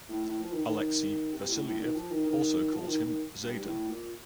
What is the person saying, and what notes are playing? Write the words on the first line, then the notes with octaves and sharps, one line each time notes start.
Alexei Vassiliev also calls him Zaidan.
A2
A2
F3
D#3
D#3
D#3
C3
A2
A2
D#3
F3
D#3
D#3
F3
D#3
D#3
G2
G2
A2
A#2